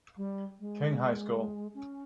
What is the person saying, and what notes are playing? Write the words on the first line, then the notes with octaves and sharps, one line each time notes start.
King High School.
G3
G#3
C#4